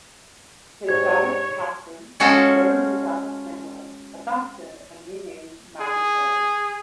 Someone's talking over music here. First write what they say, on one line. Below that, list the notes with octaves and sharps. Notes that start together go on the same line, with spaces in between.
His daughter, Katherine, was later moved out of Springwood, adopted, and renamed Maggie Burroughs.
G#2 G4 C#5 D5 G#6
G#3 C#4 F4 F#4 A4
G#4